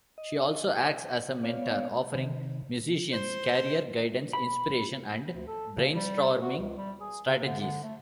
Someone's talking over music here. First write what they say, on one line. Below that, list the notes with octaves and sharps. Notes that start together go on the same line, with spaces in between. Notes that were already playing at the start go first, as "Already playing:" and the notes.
She also acts as a mentor, offering musicians career guidance, inspiration and brainstorming strategies.
D#5
B3 C#5 D5 F5
C3 D#3
C5
B5
D2
A4
C#3
G3
F#4
C#2
G3
G#4
C#3
D3
D3
A3